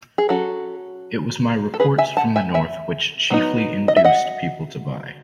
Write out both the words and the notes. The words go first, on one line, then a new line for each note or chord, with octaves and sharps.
It was my reports from the north which chiefly induced people to buy.
G#4
F#3 C#4 F#4 A4
A4
G#4 B4
E5 G#5
F#5 A5
E5 G#5
E5 G#5
F#3 B3 D#4
D#5
E5
D#5 F#5